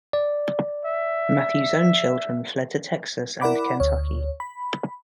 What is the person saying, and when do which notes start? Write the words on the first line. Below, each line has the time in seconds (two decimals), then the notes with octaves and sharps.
Mathews own children fled to Texas and Kentucky.
0.13 D5
0.85 E5
3.41 E4 A#4 D5 F#5 B5 D6
3.80 D2 C#5
4.40 B5